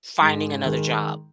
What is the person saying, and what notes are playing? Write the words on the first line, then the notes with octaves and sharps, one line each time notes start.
finding another job
G#2
D#3 G#3